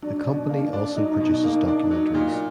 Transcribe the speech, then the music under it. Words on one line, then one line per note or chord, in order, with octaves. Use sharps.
The company also produces documentaries.
F#3 D4
B2
A#3
D4
F#3 D#4
B2
A#3
D4
F#3
A#2